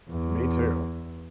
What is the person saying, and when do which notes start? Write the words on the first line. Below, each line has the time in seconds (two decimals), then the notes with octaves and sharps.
me too.
0.09 E2